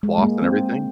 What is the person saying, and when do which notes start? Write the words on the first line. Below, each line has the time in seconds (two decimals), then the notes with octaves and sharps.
floss and everything?
0.03 G#3
0.18 G#3
0.23 A#3
0.42 C4